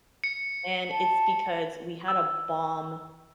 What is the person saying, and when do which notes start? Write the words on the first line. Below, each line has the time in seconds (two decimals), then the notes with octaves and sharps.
And it's because we had a bomb
0.24 C#7
0.91 A5
2.08 E6